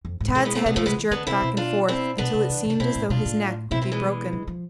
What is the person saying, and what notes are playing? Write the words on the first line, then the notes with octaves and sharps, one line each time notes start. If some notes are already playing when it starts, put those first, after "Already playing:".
Tad's head was jerked back and forth until it seemed as though his neck would be broken.
F2
G#2
C3
B2 E3 G#3
G#3 B3
A3 C4
C3 B3 D4
B2 F3 A3
C3 G#3 B3
E3
D3 B3 D4
C3 C4 E4
B2
D4 F4
C4 E4
B2 B3 D4
C3
E3
C3
D4
B2 C4 E4
A2
B2 D4 F4
A2
B2 C4 E4
C4 E4
E3 G#3
D3
F3